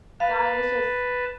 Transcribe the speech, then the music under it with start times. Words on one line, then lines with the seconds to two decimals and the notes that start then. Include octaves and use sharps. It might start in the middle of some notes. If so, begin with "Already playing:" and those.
that is just
0.20 B4 F5 A5